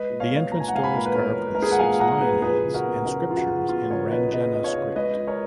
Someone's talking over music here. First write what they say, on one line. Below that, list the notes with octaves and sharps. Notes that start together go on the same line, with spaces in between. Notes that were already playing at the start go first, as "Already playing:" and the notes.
The entrance door is carved with six lion heads and scriptures in Ranjana script.
Already playing: G#3 B4 D#5
A#2
C#5 F5
B3
A#2 A#5
G#5
F#5
G#3 F5 G#5
G#5 B5
A#2 A#4
B4
B3 A#4 C#5
A#2
B4
A#4
G#3 G#4 B4
F#5
A#2 F5 G#5
B3 F#5 A#5
A#2 G#4 B4
F3 G#4 B4
C#3
F#4 A#4
B3
C#3 F#4 A#4
F3 F4
F#4
C#3
B3 F4
C#3 A#4 C#5
F3 B4 D#5
C#3 B4 D#5
B3 D#5
C#5 F5
C#3
G#3 B4 D#5
F4
A#4 C#5